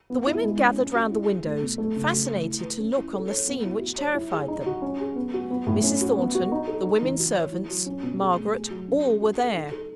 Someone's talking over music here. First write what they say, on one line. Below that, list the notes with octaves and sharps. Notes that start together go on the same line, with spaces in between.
The women gathered round the windows, fascinated to look on the scene which terrified them. Mrs. Thornton, the women-servants, Margaret,--all were there.
B3
E4
G#3
C#4
C#4
F#4
E4
G#4
A3
B2
A3
C#3
F#4
A3
E4
B4
C#4
E4
A4
C#5
B3
E4
F#4
C#5
E4
G#4
D#4
F#4
C#4
G#4
B3
F#4
B3
A2
C#4
F#4
B3
F#4
D#4
A4
D#4
E3
F#4
C#5
E4
F#3
C#4
B2
G#4
A3
G#4
F#3
C#4
G#4
F#4
A4
D#4
A4